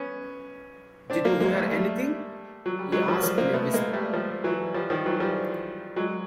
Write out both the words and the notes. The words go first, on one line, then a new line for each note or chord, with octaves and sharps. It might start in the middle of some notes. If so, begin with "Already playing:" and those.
"Did you hear anything?" he asked in a whisper.
Already playing: B3 C#4
C4 D4
A#3 C4
G#3 A#3
G3 A3
G3 A3
F#3
G3
F#3 G#3
F3 G3
F3 G3
A#3 C4
A3 B3
G#3 A#3
G3 A3
F3 G3
E3 F#3
F3 G3
D#3 F3
E3 F#3
F3 G3
F#3 G#3